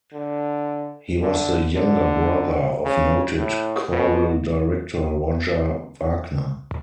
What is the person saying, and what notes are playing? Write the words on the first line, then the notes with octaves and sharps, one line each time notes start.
He was the younger brother of noted choral director Roger Wagner.
D3
D3
D3
C#3
A2
B2